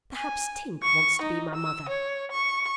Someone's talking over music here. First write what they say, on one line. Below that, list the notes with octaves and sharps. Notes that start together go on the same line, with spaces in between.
'Perhaps Tink wants to be my mother?'
G#5
C#6
D#4
E6
C#5
C#6